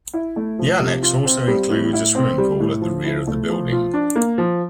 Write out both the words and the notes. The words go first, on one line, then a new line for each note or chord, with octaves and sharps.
The annexe also includes a swimming pool at the rear of the building.
E4
A3
F3
C3
F4
C4
G3
A2
E4
C4
G3
A2
F3
E4
A3
F3
F4
D4
A#3
F3